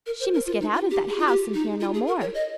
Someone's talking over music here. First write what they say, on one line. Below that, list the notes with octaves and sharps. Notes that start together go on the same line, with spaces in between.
She must get out of that house and hear no more.
A#4
C5
A#4
F4
D#4
F4
G4
G#4
F4
G4
D#4
F4
G#4
A#4
C#5
D#5